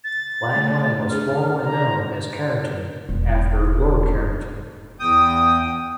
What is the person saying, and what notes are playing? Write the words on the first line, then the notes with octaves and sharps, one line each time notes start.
Lang Lang was formerly known as Carrington, after Lord Carrington.
A6
A3
D4 G#4 F6
A#5
E1 B3
E2 G5 D#6